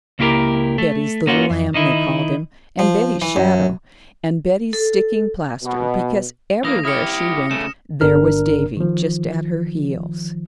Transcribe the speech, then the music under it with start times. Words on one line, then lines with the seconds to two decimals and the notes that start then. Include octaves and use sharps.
Betty's little lamb, they called him, and Betty's shadow, and Betty's sticking-plaster, because everywhere she went there was Davy just at her heels.
0.19 C#2 A#3 E4 G4 A#4
0.78 A3
1.27 A#3 C#4 F4 F#4
1.50 F2
1.74 D#3 D#4 E4
2.79 F3
3.22 E3
3.36 F#2
4.73 A4
5.63 B2
6.64 E3 A#3 D#6 A#6
6.85 E4 G4 D#6 F6 C#7
7.51 C#3 A3 E7
8.01 G1 D4 A#4 F6
8.77 D#3 F3